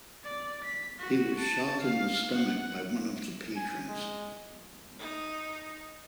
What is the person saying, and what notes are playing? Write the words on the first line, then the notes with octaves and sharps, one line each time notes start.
He was shot in the stomach by one of the patrons.
D5
B6
F#4
A5
F5
F#5
G#5
G#3
D#4